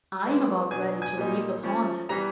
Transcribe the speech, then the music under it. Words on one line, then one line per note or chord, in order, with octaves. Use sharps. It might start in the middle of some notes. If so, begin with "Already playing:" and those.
I'm about ready to leave the pond.
E3 G#3 B3
B2 F#3 B3 D4 G#5
G#5
A#2 G3 A#3 D#4
F3 A3 C#4
E3 G3 B3 A#5